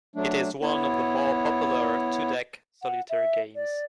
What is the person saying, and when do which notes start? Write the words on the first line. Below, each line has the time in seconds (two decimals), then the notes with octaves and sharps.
It is one of the more popular two-deck solitaire games.
0.16 F#3 A3 D4
0.62 B3 E4 C#5
2.82 F#5
3.09 E5
3.55 D5